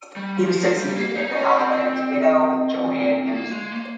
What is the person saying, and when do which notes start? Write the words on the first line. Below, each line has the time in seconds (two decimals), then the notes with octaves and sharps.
He was succeeded in the House by his widow, Jo Ann Emerson.
0.16 G3
0.37 F3
0.56 F3
0.76 G3
0.96 A#3
1.15 D#4
1.35 C#4
1.55 C4
3.32 A#3
3.51 G#3
3.72 A#3